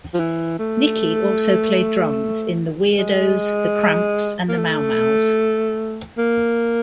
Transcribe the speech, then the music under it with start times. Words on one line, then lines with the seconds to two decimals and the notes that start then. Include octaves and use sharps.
Nickey also played drums in The Weirdos, The Cramps and The Mau-Mau's.
0.14 F3
0.20 E3
0.59 A3
2.98 G#3
4.49 A#3
4.58 A3
6.18 A#3